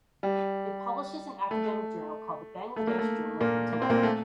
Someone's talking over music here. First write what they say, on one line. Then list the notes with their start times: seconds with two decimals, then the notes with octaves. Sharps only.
It publishes an academic journal called the Bangladesh Journal of Entomology.
0.23 G3
1.51 A3
2.76 A3
2.87 A#3
2.99 A3
3.41 A#2 A#3
3.73 A#3
3.82 C4
3.89 A#2 A#3
4.03 A3